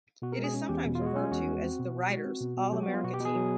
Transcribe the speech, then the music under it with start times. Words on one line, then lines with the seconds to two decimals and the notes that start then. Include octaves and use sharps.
It is sometimes referred to as the "Writers' All-America Team".
0.22 B2 F#4
0.32 A#4
0.39 G#3
0.44 G#4
0.54 C#4
0.69 E2 G4
0.86 B2
0.95 F4
1.01 G#3 F#4
1.16 C#4 F4
1.32 E2 F#4
1.47 G#3
1.64 C4
1.79 B2
1.94 B2
2.10 G#3 F#4
2.25 C4
2.41 B2
2.57 B2
2.72 F#3 G4
2.83 F#4
2.88 B3
2.94 F4
3.04 B2 F#4
3.14 G4
3.20 B2
3.25 G#4
3.35 F#3